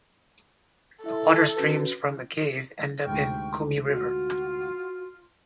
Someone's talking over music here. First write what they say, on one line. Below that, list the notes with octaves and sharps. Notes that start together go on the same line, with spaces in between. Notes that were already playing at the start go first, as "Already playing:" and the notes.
The water streams from the cave end up in Kumi river.
E4 A4 E5
C#4 F#4 B4
D2 G#2 C3 G5 C#6 F6
F4 F#4